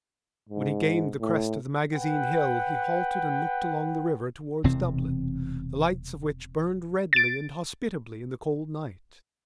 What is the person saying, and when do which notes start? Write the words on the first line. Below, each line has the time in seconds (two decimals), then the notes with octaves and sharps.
When he gained the crest of the Magazine Hill he halted and looked along the river towards Dublin, the lights of which burned redly and hospitably in the cold night.
0.49 G#2
1.20 A2
1.94 B4 F#5 G5
4.64 E1 C3 E3 C4
7.13 A6 D7